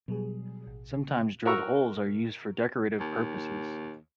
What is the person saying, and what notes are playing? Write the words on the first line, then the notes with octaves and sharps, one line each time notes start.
Sometimes drilled holes are used for decorative purposes.
B2 F#3 G3 G#4
A1
C#3
F#4 A#4 A#5 C#6 E6
D#2